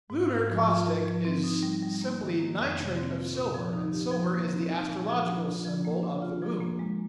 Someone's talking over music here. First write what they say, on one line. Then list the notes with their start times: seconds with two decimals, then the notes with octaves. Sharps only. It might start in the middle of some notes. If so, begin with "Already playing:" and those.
Lunar caustic is simply nitrate of silver, and silver is the astrological symbol of the moon.
0.10 G#2
0.28 G#2
0.48 F3
0.67 F4
0.86 A#4
1.05 F3
1.25 C4
1.44 D#4
1.63 G3
1.82 G3
2.01 A#3
2.21 D#3
2.39 A#3
2.58 F2
2.78 C3
2.97 C4
3.15 F4
3.34 A#2
3.54 F3
3.73 D#4
3.92 G4
4.11 F3
4.30 A#3
4.51 C4
4.70 D#4
4.88 A#2
5.08 F3
5.26 D4
5.45 F4
5.65 F3
5.85 A#3
6.03 D4
6.22 F4
6.42 F3
6.60 A#3
6.79 G#3